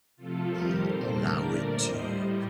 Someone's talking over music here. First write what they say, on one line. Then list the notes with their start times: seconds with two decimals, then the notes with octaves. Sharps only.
uh, allow it to,
0.16 C3 F3 A3 F4 A4
0.48 F2 C3 D#3 G3 G4 A#4
0.79 A#2 G3 A4 C5
1.11 G2 D3 A3 A#4 D5
1.42 A#2 A3
1.74 A2 G3 C5 D#5
2.06 A2 G3